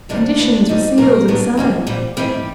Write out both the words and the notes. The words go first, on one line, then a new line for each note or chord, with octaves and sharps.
Conditions were sealed and signed.
F2 C3 D#3 G3 D4
D2 C#3 E3
F2 D3 G3 D#4
B2 F#3 A#3 B3 A#4
A2 F#3 B3 D4
D#2 D3 F3 A#3
A#2 G3 C4
G#2 E3 G3 A3 C4 G4